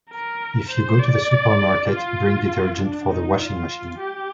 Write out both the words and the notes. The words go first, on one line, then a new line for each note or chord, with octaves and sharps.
If you go to the supermarket, bring detergent for the washing machine.
A#4
C5
D5
F4
D4
D#4
F4
G4